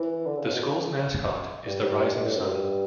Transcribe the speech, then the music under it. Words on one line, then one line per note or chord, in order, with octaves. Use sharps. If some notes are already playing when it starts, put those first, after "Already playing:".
The school's mascot is the Rising Sun.
Already playing: E3
D3
C#3
B2
C#3
G2
G2
A2
F#2
G2